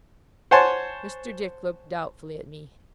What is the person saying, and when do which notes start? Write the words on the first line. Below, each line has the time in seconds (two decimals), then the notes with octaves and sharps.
Mr. Dick looked doubtfully at me.
0.51 C5 C#5 F#5 G#5 A5 C6